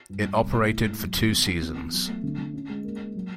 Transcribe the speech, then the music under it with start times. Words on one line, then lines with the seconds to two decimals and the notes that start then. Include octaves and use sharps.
It operated for two seasons.
0.09 G2
0.24 G2
0.40 B2
0.54 E4
0.70 A3
0.86 G#2
1.01 F#3
1.16 D#3
1.31 B3
1.47 E3
1.62 B3
1.77 B3
1.92 F#3
2.07 A3
2.23 D3
2.38 D3
2.54 C#4
2.69 G#3
2.84 A#3
3.00 A#3
3.15 F#3